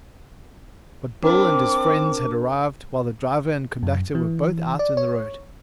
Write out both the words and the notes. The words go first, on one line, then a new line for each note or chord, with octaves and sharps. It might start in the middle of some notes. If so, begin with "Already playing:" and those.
But Bill and his friends had arrived while the driver and conductor were both out in the road.
C4 D4 A#4 D6
F#2
E3
D5
C#5